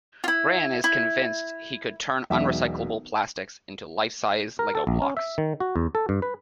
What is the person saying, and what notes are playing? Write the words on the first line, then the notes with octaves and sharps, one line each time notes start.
Rayan is convinced he could turn unrecyclable plastics into life-sized Lego blocks.
E4 F4
E4
E1 B1 E5
A#4
A4
A#1
C#4
E5
D#3
F#4
E2
A4
G2
B4